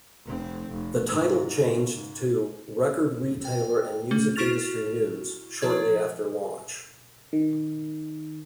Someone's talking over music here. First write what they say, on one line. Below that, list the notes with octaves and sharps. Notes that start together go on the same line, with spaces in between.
The title changed to "Record Retailer and Music Industry News" shortly after launch.
F1 C4
F1
G#2 C3
C#3
G#2
G5
A3
E4 F#4 C#6 F6 A6 F7
F3 E4 C#5 G#6
D#3